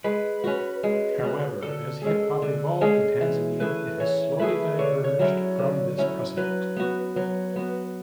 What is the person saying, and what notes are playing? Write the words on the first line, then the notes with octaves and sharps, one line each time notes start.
However, as hip-hop evolved in Tanzania, it has slowly diverged from this precedent.
G#3 B4
C#4 F#4
G#3
C#4 F#4
D3 A4
G#3 C#4 G#4
D3
G#3 C#4 G#4
E3
A3 E4 G#4 B4
E3 C#5
A3 E4 G#4 B4
D3 C#5
C#5
F#3 C#4 E4
D3
F#3 C#4 E4
F#3 B4
B3 F#4
F#3
B3 F#4